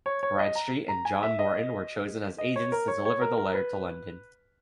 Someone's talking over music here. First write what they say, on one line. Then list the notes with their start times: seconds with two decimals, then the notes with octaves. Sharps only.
Bradstreet and John Norton were chosen as agents to deliver the letter to London.
0.06 C#5
0.23 C#5
0.39 D#5
0.55 A#5
0.88 A#5
1.05 G#5
1.23 E5
1.39 D#5
2.38 D#5
2.56 C#5
2.72 A#4
2.88 C#5
3.05 C#5
3.21 A#4
3.38 A#4
3.54 B4